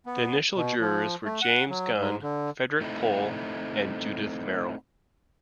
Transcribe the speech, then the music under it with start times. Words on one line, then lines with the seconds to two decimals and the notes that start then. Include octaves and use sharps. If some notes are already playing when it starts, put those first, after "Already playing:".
The initial jurors were James Gunn, Frederik Pohl, and Judith Merril.
0.06 B3
0.56 B2
0.81 F3
1.25 A3
1.42 F#5
1.69 F#3
1.98 G#2
2.23 D3
2.81 A3 C4 D#4 E4